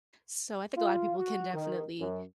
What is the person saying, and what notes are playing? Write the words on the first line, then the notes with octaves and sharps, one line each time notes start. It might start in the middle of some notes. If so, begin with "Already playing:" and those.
So I think a lotta people can definitely
F4
F#4
D#3
F#2